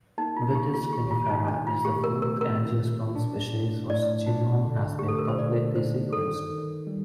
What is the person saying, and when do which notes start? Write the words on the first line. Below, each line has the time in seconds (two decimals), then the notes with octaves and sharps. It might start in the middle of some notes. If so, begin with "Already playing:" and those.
"Vitis vinifera" is the fourth angiosperm species whose genome has been completely sequenced.
0.18 A#3 D#4
0.37 F4
0.55 D#3 G4
0.74 F4
0.93 D#3 G4
1.11 F4
1.30 D#3 D#4
1.48 D4
1.67 A3 F4
1.85 G4
2.04 A3 A#4
2.22 A#4
2.41 C4 A#4
2.79 A#2
3.15 D4
3.53 A2
3.90 A2 D5
4.26 D4
4.64 D3
4.99 A3 G4
5.08 A4
5.19 A#4
5.29 C5
5.39 D3 D5
5.75 D#4 C5
6.12 D#3 A4
6.51 D#3
6.87 G3